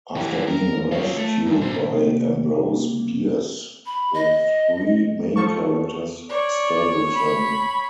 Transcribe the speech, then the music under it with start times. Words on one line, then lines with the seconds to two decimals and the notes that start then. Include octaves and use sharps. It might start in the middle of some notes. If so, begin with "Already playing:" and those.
After being rescued by Ambrose Bierce the three main characters stay with them.
0.15 E3 G4
0.47 A#4
0.91 F4 C#5
1.17 A3
1.46 G2
1.61 A#2 C5
1.92 C3 A#3
3.86 B5
4.14 D#5
5.36 F3 A4 C#6
6.29 C#5 D5
7.14 B5